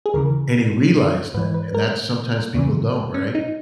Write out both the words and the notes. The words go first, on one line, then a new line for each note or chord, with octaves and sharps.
and he realized that, and that sometimes people don't, right?
G#4
D#2 C#3 E3 A#4
G#2 E3 B4
B4
A#4
E2 C#3 E3
C#4
D#4